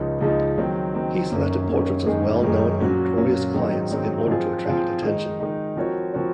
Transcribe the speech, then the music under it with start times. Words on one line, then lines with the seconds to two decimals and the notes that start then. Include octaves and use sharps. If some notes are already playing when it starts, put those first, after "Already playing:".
He selected portraits of well-known or notorious clients in order to attract attention.
Already playing: C#2 C#3 F3 G#3 D#4
0.21 C#2 C#3 F3 G#3 D#4
0.58 D#3 F#3 C4
0.95 D#3 F#3 C4
1.32 F#2 D#3 A#3 C#4
1.69 F#2 D#3 A#3 C#4
2.06 F#2 D#3 G#3 D#4 G#4
2.43 F#2 D#3 G#3 D#4 G#4
2.80 A#2 F#3 C#4 F#4
3.18 A#2 F#3 C#4 F#4
3.54 G#2 D#3 F#3 C4 D#4
3.91 G#2 D#3 F#3 C4 D#4
4.28 F3 C4 F4 G#4 C5
4.65 F3 C4 F4 G#4 C5
5.02 D#3 G#3 D#4
5.40 D#3 G#3 D#4
5.77 F3 C4 F#4 A#4 C#5
6.14 F3 C4 F#4 A#4 C#5